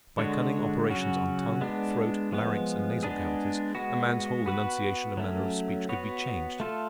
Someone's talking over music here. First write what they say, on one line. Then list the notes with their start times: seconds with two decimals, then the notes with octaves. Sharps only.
By cunning operations on tongue, throat, larynx, and nasal cavities a man's whole enunciation and manner of speech could be changed.
0.18 D3 G#3 D4 F#4 C#5
0.89 C#3 F#3 C#4 F#4
1.61 G#3 B3 D4
2.32 F3 G#3 B3
3.03 G#3 B3 D4 G#4
3.75 G#3 B3 F#4
4.46 B3 F#4 B4
5.17 F#3 A3 C#4
5.89 B3 F#4 C#5
6.60 A3 F4 A4